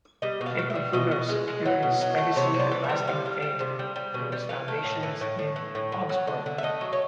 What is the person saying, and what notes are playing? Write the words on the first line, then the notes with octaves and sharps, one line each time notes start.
Jakob Fugger secured his legacy and lasting fame through his foundations in Augsburg.
G3 D#5
B2
F5
B2
E5
G3
B2 D#5
B2
G#3
G#3
F#3
B2
F#3
A3
C3 C#5
C3
D5
E3
E5
G3
C3 F5
G3
G3
C3
G3
G3
B2
G3
E3 F5
A3
A2
E3
A2
A2
E3
A2
D3
F#3
D3
D3
E5
A3 D#5
F#3
C#5